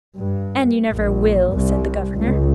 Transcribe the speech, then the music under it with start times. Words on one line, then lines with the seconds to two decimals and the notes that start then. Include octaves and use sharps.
"And you never will," said the governor.
0.17 G2
0.92 A#1
1.54 C2
2.15 C#2